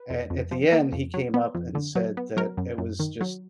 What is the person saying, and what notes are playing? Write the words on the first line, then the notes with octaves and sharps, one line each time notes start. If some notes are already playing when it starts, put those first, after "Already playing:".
At at the end, he came up and said that it was just
Already playing: B4
F2
F2
F3
A#3
F2
F#3
B3
F2
D3
F#3
B3
F#3 A#4
F#2
F#2
D#3
F#3